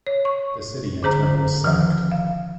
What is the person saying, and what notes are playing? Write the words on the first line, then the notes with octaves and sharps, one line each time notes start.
The city in turn was sacked.
C#5
C#6
D3 C#4 G#4 C5 A#5
D#3 F3
F5